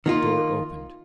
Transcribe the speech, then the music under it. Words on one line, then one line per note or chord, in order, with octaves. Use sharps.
The door opened.
D#3 A#3 F4